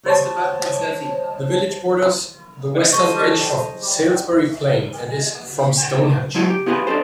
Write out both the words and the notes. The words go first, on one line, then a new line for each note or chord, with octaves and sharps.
The village borders the western edge of Salisbury Plain, and is from Stonehenge.
C5 C#5 A5
A4 C5 D#5 C#6
F#3 G#3 E4 F#4
G4
B3 E4 F4 G4 G#4 B4
D4 D#4 A4 C5